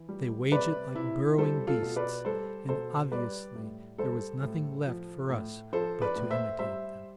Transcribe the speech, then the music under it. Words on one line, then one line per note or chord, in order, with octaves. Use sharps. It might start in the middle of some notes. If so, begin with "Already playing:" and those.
They wage it like burrowing beasts, and obviously there was nothing left for us but to imitate them.
Already playing: E3
G3
C3 B4 D5
C3 E4
G3 A4 C5
F4 A4
B2
B4 D5
G3 A4 C5
B2 A4 C5
G3 B4 D5
A2
G3 A4 C5
A2
F3
A2
F3 A4 C5
B4 D5
A2
C5 E5
G3 C5 E5